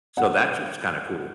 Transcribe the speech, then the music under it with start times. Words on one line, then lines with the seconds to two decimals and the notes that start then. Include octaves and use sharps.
So, that's just kinda cool.
0.17 F#5